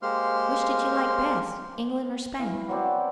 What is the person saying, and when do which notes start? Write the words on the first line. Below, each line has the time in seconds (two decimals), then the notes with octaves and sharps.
"Which did you like best--England or Spain?"
0.02 G#3 A#3 G4 C5 C6 F6
2.39 E3 F5
2.69 F#3 B3 C4 D5